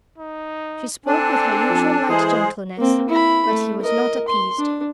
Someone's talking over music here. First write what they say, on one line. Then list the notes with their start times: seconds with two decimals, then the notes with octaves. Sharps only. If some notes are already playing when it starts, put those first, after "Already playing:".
She spoke with her usual light gentleness, but he was not appeased.
0.18 D#4
1.06 C4 D4 A4 G#5 A5
1.69 F2
2.09 E3 G#3 G#4 C5
2.78 A#3 C4
3.09 E4 B5
3.47 A3
3.82 A#4 D#5
4.28 C6
4.58 D4